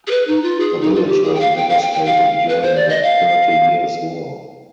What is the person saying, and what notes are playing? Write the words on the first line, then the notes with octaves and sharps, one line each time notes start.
The village was devastated during the Thirty Years' War.
G#4
B4
D#4
F4
G#4
D#4
F4
G4
G#4
G5
F5
G5
F5
G5
G5
F5
B4
C5
D5
D#5
F5